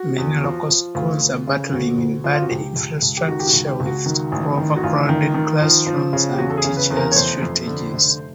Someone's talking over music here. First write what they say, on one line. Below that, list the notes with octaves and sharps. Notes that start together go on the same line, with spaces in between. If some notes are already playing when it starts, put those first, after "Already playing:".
Many local schools are battling in bad infrastructure with overcrowded classrooms and teachers shortages.
Already playing: F#4
E2
F3
F3
D2 F4
D2
C#3
D2 F#4
D2
F3
F4
F#4
C#2 G4
C#2
C#2
G4
D#3 F#4
G4
F#4
C#2
G4
C#2
F#4
D#3
A1
D#3
F#4
A1 F4
D#3
D#3
F3
F3
C#3
G4
E2 F#4
A4
G#4
C#3
B4
E2
A#4
C#5
F1 C5
F2
D3
F1